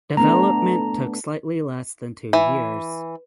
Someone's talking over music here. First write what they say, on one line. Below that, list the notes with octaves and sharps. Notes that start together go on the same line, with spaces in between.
Development took slightly less than two years.
A3 B3 D4 A#5
E3